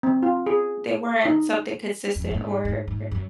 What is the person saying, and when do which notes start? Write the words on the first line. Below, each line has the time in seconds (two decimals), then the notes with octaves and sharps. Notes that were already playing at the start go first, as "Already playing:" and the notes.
they weren't something consistent or r
0.03 C4
0.23 F4
0.46 G#4
1.25 D#4
2.16 F2
2.31 G#2
2.65 G#2
2.88 G#2
3.11 F#2